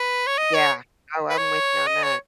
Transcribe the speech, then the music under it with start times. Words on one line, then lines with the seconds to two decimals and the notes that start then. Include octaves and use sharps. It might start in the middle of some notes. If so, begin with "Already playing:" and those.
Yeah, oh, I'm with you on that.
Already playing: B4
0.27 C#5
0.38 D#5
0.54 C#5
1.29 B4
1.37 C#5
1.87 D#5
2.03 C#5